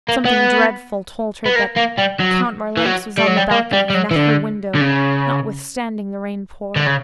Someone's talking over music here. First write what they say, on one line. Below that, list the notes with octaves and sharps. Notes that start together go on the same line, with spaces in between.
Something dreadful told her that Count Marlanx was on the balcony and at her window, notwithstanding the rain pour.
A#3
B3
B3
A#3
A#3
G3
F#3
E3
F#3
G3
F#3
G3
A#3
G3
G3
F#3
E3
D3
D3
C#3
D3
C#3